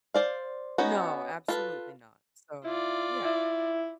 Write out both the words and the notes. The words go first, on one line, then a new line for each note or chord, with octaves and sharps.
No, absolutely not, so yeah.
C5 D5 F5
B3 C#4 D#4 F#4 D#5
F4 A4 B4
E4 F4 D5
E4